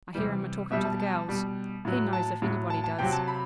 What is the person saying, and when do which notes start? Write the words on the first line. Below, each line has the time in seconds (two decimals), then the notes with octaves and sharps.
I hear him a-talkin' to the gals. He knows if anybody does.
0.15 C3 E3 G3
0.71 B2 G3 E5
0.85 A5
0.99 A5
1.28 B2 G3
1.85 A2 F#3
2.13 A5
2.42 A2 F#3
2.70 A5
2.84 A5
2.99 C3 F#3 G5
3.12 A5
3.28 B5